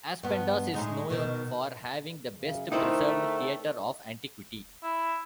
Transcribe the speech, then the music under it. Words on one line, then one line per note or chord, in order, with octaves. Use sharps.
Aspendos is known for having the best-preserved theatre of antiquity.
G2 B3
A2 G#3 D#4
B2 D#3
F#2 C#3
D3 A3 D#4 E4 A#4 C5 G5
E4